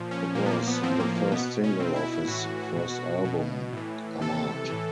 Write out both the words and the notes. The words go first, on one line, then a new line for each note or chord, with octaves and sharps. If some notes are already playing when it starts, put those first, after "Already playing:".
It was the first single off his first album, "Ahmad".
Already playing: A#2 F3
C#4
A#2 F3 A#3
B3
A#3
B3
A2 F3 C4
A#3
A#3
B2 B3
C#4
B2 C4
E4
E4
A2 E3 F#4
B2
B2
A2 E3
C3 E3 A4
A2 E3